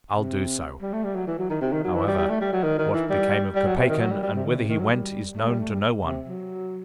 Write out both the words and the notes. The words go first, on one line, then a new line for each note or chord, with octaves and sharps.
I'll do so.' However, what became of Kopeikin, and whither he went, is known to no one.
C3
G3
A3
G3
F#3
E3
F#3
D#3
C3
D#3
F#3
E3
G3
G3
A3
G3
F#3
D#3
D#3
E3
G3
G3
F#3
C3
D#3
F#3
G3
G3
C3
D#3
C3
D#3
F#3
G3
A3
G3
A3
G3
C3
F#3